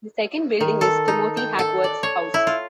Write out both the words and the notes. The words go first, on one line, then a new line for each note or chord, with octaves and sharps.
The second building is Timothy Hackworth's house.
D#3
A4
D#4
G5
A4
D5
C#5
E4
F4